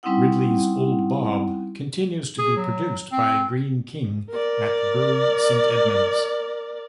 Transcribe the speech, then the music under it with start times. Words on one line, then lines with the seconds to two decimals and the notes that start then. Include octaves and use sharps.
Ridley's Old Bob continues to be produced by Greene King at Bury Saint Edmunds.
0.03 G3 C4 C#4 D#4 E4 F#5
2.39 G#4
2.57 F#3
3.12 C4
4.30 A#4 D5